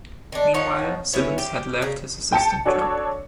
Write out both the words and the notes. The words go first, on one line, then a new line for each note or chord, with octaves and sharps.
Meanwhile, Simmonds had left his assistant job.
D#3 D4
F3 D#4 C#5 F#5
B3 C#4 E4 C#5
G4
C#3 A#4
G5 A5 C#7
D4 F#4 A4 C#5